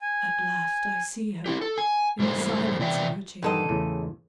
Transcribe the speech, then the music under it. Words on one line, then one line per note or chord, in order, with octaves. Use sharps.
At last, I see her, in the silence of her chamber.
G#5
E4 G4
A4
G#5
G#2 G3 A3 A#3 C5
C3 E3 F4 D5 E5 G5
G2 A#2 D#3 B3 A4 D#5
E2 A2 C#3